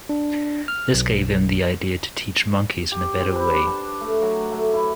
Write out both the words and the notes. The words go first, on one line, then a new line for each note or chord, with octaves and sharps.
This gave him the idea to teach monkeys in a better way.
D4
F6
B1
G4
C4
B4
D4
A5
A3
F#3
A3
E4